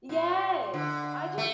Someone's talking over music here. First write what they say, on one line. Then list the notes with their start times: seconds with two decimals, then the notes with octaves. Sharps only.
Yes! I just
0.09 A#2
0.74 D3
1.38 A3